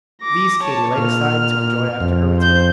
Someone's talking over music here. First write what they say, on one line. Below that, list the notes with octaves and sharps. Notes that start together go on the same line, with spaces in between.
These Katy laid aside to enjoy after her return.
D6 A#6
C#5 A5
A#2 F6
F2
C5 G6